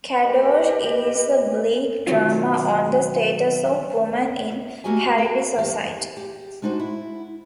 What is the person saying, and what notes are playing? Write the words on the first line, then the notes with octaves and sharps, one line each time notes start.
"Kadosh" is a bleak drama on the status of women in Haredi society.
G4 A#4 B4 D#5
B2 D#3 F#3 C4 F4
A3 A#3 F#4 G4 D#5 G#5
F#4 A4 E5
E2 G2 G4
G4
G#3 D4 D#4 F#4 C5
E4